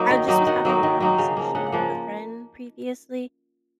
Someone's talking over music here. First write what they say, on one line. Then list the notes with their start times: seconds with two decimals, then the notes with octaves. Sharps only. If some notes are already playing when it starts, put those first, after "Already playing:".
I just was having a conversation with a friend previously
Already playing: F#3 A#3 D#4
0.11 D#3
0.28 F#3 A#3 D#4
0.47 D#3 F#5
0.65 F#3 A#3 D#4
0.83 D#3
1.00 F#3 A#3 D#4
1.18 C#3 F5
1.37 F3 A#3
1.55 C#3 F#5
1.66 F#5
1.72 F3 A#3